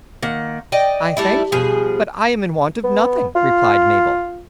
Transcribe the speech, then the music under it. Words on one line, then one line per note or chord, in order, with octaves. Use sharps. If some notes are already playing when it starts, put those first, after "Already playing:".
"I thank you, but I am in want of nothing," replied Mabel.
D#3 A#3 F#5
D5 D#5 G5
G3 A3 E4
B2 F3 G3 G#4
B3
F4